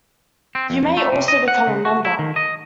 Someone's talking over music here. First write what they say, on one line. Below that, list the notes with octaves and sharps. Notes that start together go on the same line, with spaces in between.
You may also become a member.
C4
F2
F2
A3
C3
D#5
F#5
C#3
F#4
E4
D#3
D#5